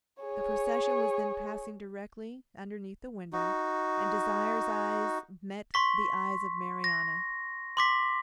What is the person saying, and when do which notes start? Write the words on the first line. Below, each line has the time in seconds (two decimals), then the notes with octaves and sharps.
The procession was then passing directly underneath the window, and Desire's eyes met the eyes of Marianna.
0.23 G#4 C#5
3.33 D#4 F#4
5.74 C6 C#6 B6
6.84 A#6
7.77 C6 D6 B6